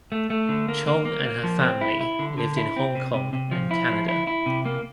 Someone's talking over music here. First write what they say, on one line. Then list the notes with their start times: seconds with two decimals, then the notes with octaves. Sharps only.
Chong and her family lived in Hong Kong and Canada.
0.12 A3
0.30 A3
0.49 D3
0.68 A#3
0.87 A#3
1.05 A#3
1.25 A#3
1.43 F3
1.63 C4
1.81 E4
2.01 E4
2.19 D3
2.38 D3
2.57 E4
2.76 C4
2.95 C3
3.14 C3
3.33 C3
3.52 F3
3.71 E4
3.90 F3
4.08 E4
4.27 E4
4.46 C3
4.66 A#3